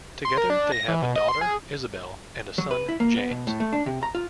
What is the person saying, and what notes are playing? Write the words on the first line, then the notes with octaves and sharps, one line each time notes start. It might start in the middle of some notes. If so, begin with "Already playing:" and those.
Together they have a daughter, Isabel, and a son, James.
C6
A#4
D4
A#6
E3
B2
D#5
C6
G#4
F#3
B4
E4
A#3
B3
B2
A2
A3
D4
C3
A#5
F4